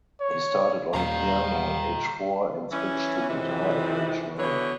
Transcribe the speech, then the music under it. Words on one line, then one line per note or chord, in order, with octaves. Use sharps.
He started on piano at age four and switched to guitar at age nine.
C#5
D#2 A#2 G3 F5 G5 A#5
E3 C#4
F2 G#2 C3 D#3 E3
B2 D3 E3 B4 C#5